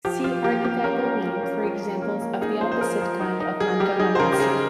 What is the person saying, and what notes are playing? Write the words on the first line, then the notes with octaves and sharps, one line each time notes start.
See "archetypal name" for examples of the opposite kind of antonomasia.
F3 G4
F3 F4
A#3 G4
F3 G4
C#4 A#4
C#4
F3
C#4
F3
F3
A#3
A#3
D#4 G#4
F3 C5
C5
F3 A#4
F3
D#4
D#4
G3 G#4
G3 G4
D#4 G#4
C5
C#3 A#4
G4
D#4 G#4